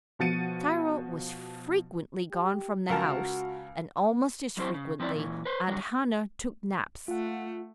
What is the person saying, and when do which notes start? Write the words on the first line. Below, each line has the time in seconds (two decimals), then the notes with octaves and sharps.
Cyril was frequently gone from the house, and almost as frequently Aunt Hannah took naps.
0.19 B2 F3 F#4 A6 C#7 D#7
2.32 G4
2.90 C#2 F#4 A#4 A5
4.57 F#2 F#3 C4 E4 G4 C5
4.74 C#3
5.00 F3 C4 E4 B4 D5
5.15 A#2 E3
5.45 B4 C5
5.68 D3 F#3 G3
7.08 A3 F4 F#5